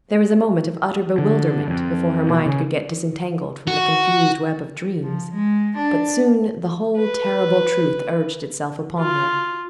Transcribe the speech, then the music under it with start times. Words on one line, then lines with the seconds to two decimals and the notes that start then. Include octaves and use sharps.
There was a moment of utter bewilderment before her mind could get disentangled from the confused web of dreams; but soon the whole terrible truth urged itself upon her.
1.18 D3
1.68 F2
2.29 B2
2.46 C#3
3.68 F#4
5.03 F3
5.34 G#3
5.77 D4
6.97 B4
8.99 F4